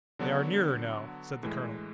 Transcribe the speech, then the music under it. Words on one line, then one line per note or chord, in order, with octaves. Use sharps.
"They are nearer now," said the Colonel.
D3 F#3 B3 D4 F#4
A2 E3 G#3